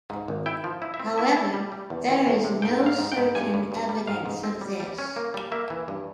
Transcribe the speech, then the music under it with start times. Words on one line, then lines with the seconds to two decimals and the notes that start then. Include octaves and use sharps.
However, there is no certain evidence of this.
0.10 G#2
0.28 G#1
0.46 E4 G5
0.64 F3
0.82 E4
0.94 E5
1.00 C4
1.18 E4 E5
1.36 E4
1.54 G3
1.72 G3
1.90 E2
2.09 E2
2.27 E2
2.44 C3
2.62 G#2 G5
2.80 G#2
2.86 F5
2.99 G#2
3.12 G5
3.17 G#2
3.35 G2 G#5
3.54 G2
3.72 G2
3.89 G3
4.07 G#2 F5
4.26 G#2
4.44 C4
4.61 G3
4.80 G3
4.98 C#4
5.16 A#3
5.34 G3
5.52 A#3 E5
5.70 E3
5.88 G2